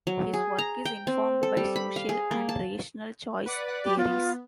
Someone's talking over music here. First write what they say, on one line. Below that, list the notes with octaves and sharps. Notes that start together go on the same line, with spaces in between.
His work is informed by social and rational choice theories.
F#3
G#4
A#5
G5
C4
A4
G3
B5
F5
G#4
A#3
A5
B4 D5 F#5
F#5
G4
B3 F4